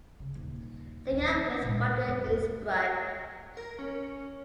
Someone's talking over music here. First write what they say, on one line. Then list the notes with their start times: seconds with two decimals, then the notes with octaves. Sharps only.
Liga with Wacker Innsbruck.
0.20 C#3
0.35 D#1
1.07 A#1 D#2
1.62 A#2 G#3
2.06 F2
2.27 A3
3.57 A#4
3.79 C#4